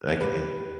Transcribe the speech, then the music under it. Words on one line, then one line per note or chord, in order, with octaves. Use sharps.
I can hea
G4 B4